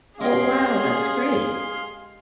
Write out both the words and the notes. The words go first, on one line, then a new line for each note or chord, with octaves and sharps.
Oh, wow. That's great.
G#3 C#4 G4 G#4 F5 C6